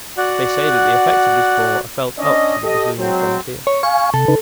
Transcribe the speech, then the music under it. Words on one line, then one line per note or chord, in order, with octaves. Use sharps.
They say that the effects of this bore are felt up to the Brazilian frontier.
F#4 D5 F#5
C#4 D4 D5 D#5
G4 A4 D#5
G#2 F#3 C4
C#5
F5 G#5 C#6
C3 A4
C#3 D#4 B4